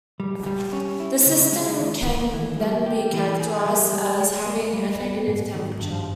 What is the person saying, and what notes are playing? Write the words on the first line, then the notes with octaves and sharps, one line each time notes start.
The system can then be characterised as having a negative temperature.
G3
G3
C#4
E4
C#3
G#3
D#3
D#3
E3
G3
G4
E3
G#4
G3
G#3
G#3
A#3
G3
B3
G#2
D#3
G2